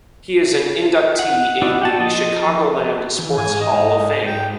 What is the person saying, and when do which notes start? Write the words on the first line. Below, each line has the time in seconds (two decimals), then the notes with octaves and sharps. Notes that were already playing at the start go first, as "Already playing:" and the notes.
He is an inductee in the Chicagoland Sports Hall of Fame.
1.19 F#5
1.62 D#4 E4 F#4 D5
1.81 G4 F#5 A5
1.99 F3 D#5 A5
3.18 E3
3.37 G#2 G#5
3.61 D#5
4.25 G5